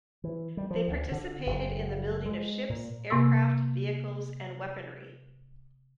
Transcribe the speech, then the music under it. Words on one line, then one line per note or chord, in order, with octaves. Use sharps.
They participated in the building of ships, aircraft, vehicles, and weaponry.
E3
G3
F3
D2
D3
F#1
G#3
A#2
C3 A#3 C6 E6